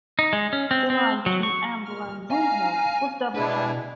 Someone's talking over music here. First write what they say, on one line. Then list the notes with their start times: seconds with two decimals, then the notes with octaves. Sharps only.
The line between Amble and Broomhill was double-track.
0.19 D#4
0.33 G#3
0.53 C#4
0.71 C4
0.90 C4
1.26 F#3
1.43 C#6
1.85 A#2 F6
2.31 F5 G#5 A#5
3.35 B2 G#3 D4 E4 B4